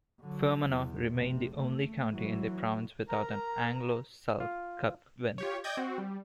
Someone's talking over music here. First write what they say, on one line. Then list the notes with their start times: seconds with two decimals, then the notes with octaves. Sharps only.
Fermanagh remain the only county in the province without an Anglo-Celt Cup win.
0.20 D3 F#3
0.68 E2
1.12 F1 C3
1.54 A3
2.10 E3 F#3
3.09 A#4 A#5
4.40 F4
5.38 F4 G4 C#5
5.64 D5 D#5 G5 G6 G#6 A#6
5.77 C4 F#4
5.98 G3